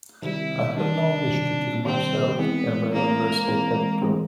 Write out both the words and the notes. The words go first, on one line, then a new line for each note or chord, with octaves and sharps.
I had no wish to tear myself away unless I had to.
C3 D#3 G3 E4
C3 D#3 G3 D4
C3 D#3 G3
C3 D#3 G3 C4
E3 G#3 B3 C4
E3 G#3 A#3 C4
E3 G#3 C4
E3 G#3 C4